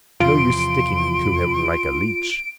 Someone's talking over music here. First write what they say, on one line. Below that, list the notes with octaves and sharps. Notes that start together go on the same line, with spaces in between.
No use sticking to him like a leech.
E2 C3 F3 F4 C6 D7